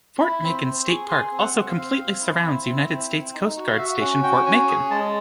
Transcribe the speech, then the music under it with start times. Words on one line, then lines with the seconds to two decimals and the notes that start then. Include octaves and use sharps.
Fort Macon State Park also completely surrounds United States Coast Guard Station Fort Macon.
0.19 E4 B5
0.42 C4 B5
0.65 C4
0.87 G#4 C#6
1.09 G#4 C6
1.31 C4
1.39 F#5
1.54 C4
1.69 F5
1.77 C4
2.00 C4
2.21 E4
2.44 C4
2.66 E4
2.89 C4
3.12 C4
3.34 D#4
3.57 F#4
3.73 F5
3.78 F#4 E5
4.00 C#4 F#5
4.23 F#4 G5
4.46 C#4 G#5
4.68 G#4 G#5
4.91 G#3 A5